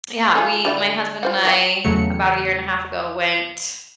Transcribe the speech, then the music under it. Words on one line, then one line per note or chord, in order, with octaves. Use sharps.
Yeah, we my husband and I, about a year and a half ago, went
F4 G#4 A4
D3 G3 E4
F4 C5 F#5
F3 C#5 G5
E2 C#3 F#3 A3 C#7